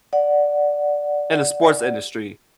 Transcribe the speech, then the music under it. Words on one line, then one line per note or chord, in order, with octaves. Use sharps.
in the sports industry.
D5 F#5